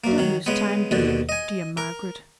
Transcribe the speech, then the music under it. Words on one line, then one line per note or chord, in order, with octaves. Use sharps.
Don't lose time, dear, dear Margaret.
F#2 A#3
D#3 F#3
C#3 G#3 B3
D#2 B2 D3
D#5 G#5
A#4